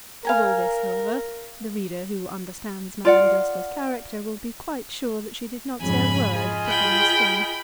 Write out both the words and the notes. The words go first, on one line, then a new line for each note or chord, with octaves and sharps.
Of all this, however, the reader who understands Madame Goesler's character will be quite sure that she did not say a word to Phineas Finn.
A#4 F5 G#5 A#5
F4 D5 F#5
F2 G#2 C#3 G#5 B5
F4 G#4 D#5
G5 B5